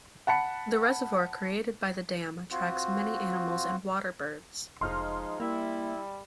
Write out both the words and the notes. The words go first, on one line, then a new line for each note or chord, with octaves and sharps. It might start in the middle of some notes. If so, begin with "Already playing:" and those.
The reservoir created by the dam attracts many animals and water birds.
F#5 A5 B5 C#7
C4 F4 F#4
F1 F3 G#3 D#4 C6 F6
G3 A#3 E4